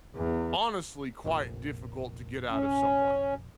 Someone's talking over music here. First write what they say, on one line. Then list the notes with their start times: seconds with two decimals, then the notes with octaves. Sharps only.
honestly quite difficult to get out of someone,
0.16 E2
1.25 F1 A#1
2.51 C#4